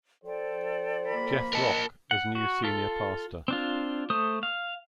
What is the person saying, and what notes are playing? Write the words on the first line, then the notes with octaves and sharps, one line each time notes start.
Jeff Rock as new senior pastor.
F3 A4 C5 D5 G5
A#3 B5
A#4 D#5 A5
F#5
F#4
F4 A4
C4 D4 F4
A3 C5 D#6
F5